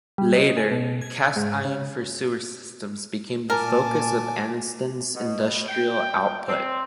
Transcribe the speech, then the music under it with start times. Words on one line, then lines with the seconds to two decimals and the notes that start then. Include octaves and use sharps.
Later, cast iron for sewer systems became the focus of Anniston's industrial output.
0.18 G3
0.36 D#5
0.57 G#4
0.71 B2
1.01 G#6
1.36 G#2
1.65 C#3
3.50 A#2 A#4 G#5 A5 D6
5.15 B2
5.68 G5
6.48 C4